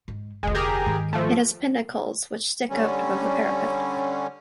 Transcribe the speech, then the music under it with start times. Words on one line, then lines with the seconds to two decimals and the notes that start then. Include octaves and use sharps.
It has pinnacles which stick out above the parapet.
0.08 G#2
0.43 F1 D2 G#3
0.55 G4 G#4 A#4
0.86 G#2 D#3
1.13 F3 A3
2.70 D3 G3 C#4